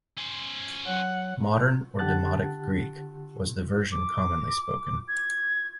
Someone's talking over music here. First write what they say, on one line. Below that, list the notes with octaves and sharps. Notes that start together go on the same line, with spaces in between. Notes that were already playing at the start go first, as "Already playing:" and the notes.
Modern or Demotic Greek was the version commonly spoken.
C#4 C5
F#3 F#5
D3 G4 F#5 A5 F#6 A6
D6
G#6